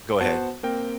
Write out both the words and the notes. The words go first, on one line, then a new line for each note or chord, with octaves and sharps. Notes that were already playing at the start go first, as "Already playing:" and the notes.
Go ahead.
B3 F#4 C5 F#5 A5
A#3 C4 A#4 G5